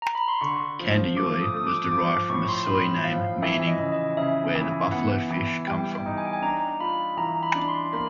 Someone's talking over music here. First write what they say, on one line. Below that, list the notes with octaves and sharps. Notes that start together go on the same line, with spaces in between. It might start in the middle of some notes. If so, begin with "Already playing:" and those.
Kandiyohi was derived from a Sioux name meaning "where the buffalo fish come from".
A#5
B5
C6
D3 C#6
F3
A3 D6
D#6
A3 D#6
D6
F3 D6
D6
A2 C#6
C6
A2 B5
F3 F5
E3 E5
D#5
C#3
D#5
C#3 E5
E3
B3 F#5
E3
G3 G5
G5
D#4
G#5
G5
G#5
D4 A#5
F4 B5
E3 A#5
B5
D4
C6
A#3 B5